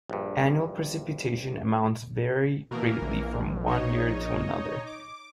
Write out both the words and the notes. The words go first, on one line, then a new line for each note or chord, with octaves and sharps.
Annual precipitation amounts vary greatly from one year to another.
A#1 G2
B2 E3 A#3 A#4
A#1
D#4 C#5 D#5
D6